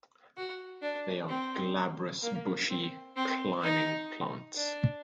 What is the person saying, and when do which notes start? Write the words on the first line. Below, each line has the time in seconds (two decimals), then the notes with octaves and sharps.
They are glabrous bushy climbing plants.
0.37 F#4
0.83 D4
1.29 C4
2.23 A#3
2.69 C4
3.16 C4
3.62 D#4
4.56 D4